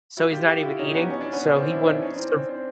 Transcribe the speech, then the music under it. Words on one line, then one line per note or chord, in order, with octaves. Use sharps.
so, he's not even eating. So, he wouldn't surv
E4 F#4
F4 G4
F4 G4
E4 F#4
C#4 D#4
B3 C#4
C#4
D4
B3 C#4
C4 D4
D4 E4
D4 E4
C#4 D#4
C#4
C4
C4 D4
C4